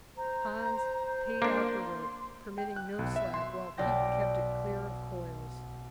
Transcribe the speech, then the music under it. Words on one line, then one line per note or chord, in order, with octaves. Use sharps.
Hans paid out the rope, permitting no slack, while Pete kept it clear of coils.
C5 A#5
A#3 D4 C6
G5
F#6
B1
E5
C6
B1 D5 G5 A#6